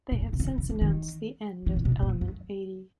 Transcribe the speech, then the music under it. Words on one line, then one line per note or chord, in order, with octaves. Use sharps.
They have since announced the end of Element Eighty.
A#2
A2
C3
C#3
C#3
D3
D#3
E3
A#2
B2
A#2
F#2